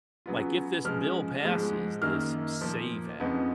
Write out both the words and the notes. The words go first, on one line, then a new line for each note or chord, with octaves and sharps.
Like, if this bill passes, this SAVE Act,
C#3 F#3 B3 F4
C#3 F3 G#3 F6
G#2 F3 G#3
F#2 D#3 A#3 D#4 F6
A#2 F3 A#3
F2 C#3 F3 B3 D#4